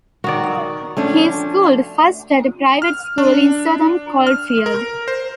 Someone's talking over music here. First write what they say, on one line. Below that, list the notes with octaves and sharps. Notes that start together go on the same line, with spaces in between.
He schooled first at a private school in Sutton Coldfield.
D#3 F#4 A#4 D5
F3 A3 C#4 D4
F6
D4
F6
A#4
C5